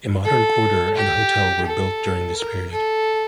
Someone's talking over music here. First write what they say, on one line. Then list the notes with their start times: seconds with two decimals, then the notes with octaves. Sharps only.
A modern quarter and a hotel were built during this period.
0.25 A4
0.96 G4
1.66 A4
2.36 A#4
2.72 A4